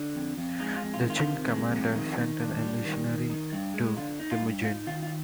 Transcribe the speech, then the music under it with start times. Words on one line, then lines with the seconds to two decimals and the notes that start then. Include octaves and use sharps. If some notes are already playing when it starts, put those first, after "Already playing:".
The Jin commander sent an emissary to Timujin.
Already playing: D3
0.15 F2
0.37 F2
0.60 G#3 D#4
0.73 D#4
0.76 F4
0.83 F2
0.94 F4
1.05 D#3 F4
1.28 C3
1.50 G#3
1.72 F2
1.95 D#3 D#4
2.17 D#3
2.40 D4
2.63 G3
2.85 D#3
3.07 D#3
3.30 D#4
3.53 G2
3.74 G#3
3.96 D3 F4
4.20 D#4
4.31 F4
4.42 G2
4.64 D#4 F4
4.87 D#3 F4
5.03 F4